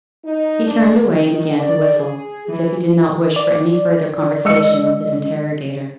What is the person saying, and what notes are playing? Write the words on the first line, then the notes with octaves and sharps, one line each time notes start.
He turned away, and began to whistle, as if he did not wish for any further conversation with his interrogator.
D#4
D4
C#3
D#3
D5
G#4
E3
D5
G#3 D#5 E6 C#7